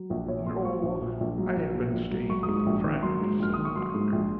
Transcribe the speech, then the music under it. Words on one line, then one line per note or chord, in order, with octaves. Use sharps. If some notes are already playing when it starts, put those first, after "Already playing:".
"No, I had been staying with a friend," said the doctor.
Already playing: F#3
A#1 F#4
A#2 C#5
A#1 C6
F#3 C#6
A#1
A#2
A#1
F#3
A#1
A#2
A#1
F#3
F#3 C#6
G#2 D#6
C#6
A#1
D#3
F#3 C6
G#2
A#1 F6
D#3 D#6
C#6
F#3 C6
G#2
A#1